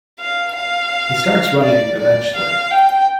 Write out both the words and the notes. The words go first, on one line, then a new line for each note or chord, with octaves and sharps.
He starts running eventually.
F5
F5
D5
D5
F5
G5